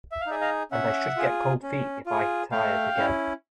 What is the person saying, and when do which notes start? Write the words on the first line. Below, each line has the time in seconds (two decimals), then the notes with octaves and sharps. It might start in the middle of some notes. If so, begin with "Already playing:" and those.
And I should get cold feet if I tried again.
0.12 E5
0.21 F5
0.27 D#4 G#4 D5 E5
0.41 D#5 F5
0.71 C#4 E5 F#5
1.16 F4 G#4
1.62 C#4
2.06 F4 G#4
2.51 A3 F5 G5
2.97 C#4 E4